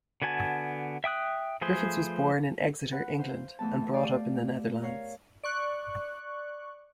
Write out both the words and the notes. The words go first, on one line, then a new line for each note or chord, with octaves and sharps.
Griffiths was born in Exeter, England, and brought up in the Netherlands.
D3 B3 F#4 G#5 A5
E5 G5 D#6 F#6
F3 A3 G#4 B4 C5
B4 F#5
C5 F5
E2 A3 B3 A5
G4 D5 F5
A#4 C#5 F5
D5 C#6 F#6